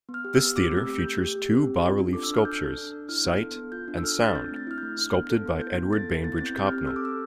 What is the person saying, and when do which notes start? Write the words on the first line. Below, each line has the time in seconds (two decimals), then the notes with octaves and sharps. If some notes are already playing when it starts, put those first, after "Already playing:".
This theatre features two bas-relief sculptures, "Sight" and "Sound", sculpted by Edward Bainbridge Copnall.
0.09 B3
0.14 F6
0.25 G4
0.35 E6
0.41 B3
0.56 C4 D6
0.72 A3
0.77 E6
0.88 G4
0.99 G6
1.04 A3
1.19 G4
1.36 G4
1.51 C4
1.67 C4
1.83 F4
1.99 D4
2.13 A4 D6
2.23 E6
2.30 D4 F6
2.45 A4 G6
2.62 A4
2.77 D4
2.93 D4
3.09 E4 F6
3.25 B3
3.40 A4
3.56 B3
3.72 F4 G6
3.88 D4
3.98 E6
4.03 A4 F6
4.19 D4 A6
4.35 C4 G6
4.51 A3 A6
4.67 E4 F6
4.78 A3 G6
4.98 D4 F6
5.14 B3
5.30 A4
5.45 B3
5.61 E4 G6
5.77 B3
5.93 A4 A6
6.09 B3
6.24 E4 A6
6.38 C4 A6
6.46 G6
6.56 G4
6.62 G6
6.67 F6
6.72 C4
6.87 A4 E6
6.96 D6
7.04 A4 E6